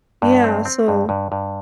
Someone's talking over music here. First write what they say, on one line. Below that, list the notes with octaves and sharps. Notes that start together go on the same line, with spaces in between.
Yeah, so
G2
C4
C4
G2
G2
G2